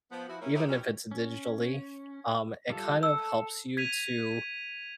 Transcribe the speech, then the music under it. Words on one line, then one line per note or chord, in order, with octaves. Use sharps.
even if it's digitally, um, it kind of helps you to,
F3 B3
F3 E4 F#4
A#3 C#4 E4
D#4 E4 G4 G#4 C#5 E5
E3 F#3 G3 C#4
C#4
G3 F4 A4
A4 E6
G#6 B6 D#7 F7